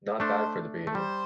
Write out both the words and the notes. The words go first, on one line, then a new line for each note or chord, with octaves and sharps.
Not bad for the beginning.
A3 D4 C5
A3
G3 C5